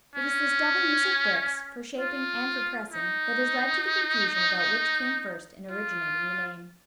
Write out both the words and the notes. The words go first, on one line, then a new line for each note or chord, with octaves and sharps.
It is this double use of bricks, for shaping and for pressing, that has led to the confusion about which came first in originating the name.
C#4
F4
D#4
F4